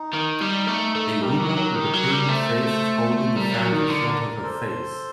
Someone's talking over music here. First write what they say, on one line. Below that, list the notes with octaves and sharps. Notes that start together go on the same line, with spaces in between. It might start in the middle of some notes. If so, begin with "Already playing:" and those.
A woman with a painted face is holding a fan in front of her face.
Already playing: D#4
D#3
G3
A3
A3
G3 G4 A#4
F#3
F#3
D#3
F#3
G3
A3 A4 C5
G3 A#4 D5
F#3
D#3
D3
A4 C5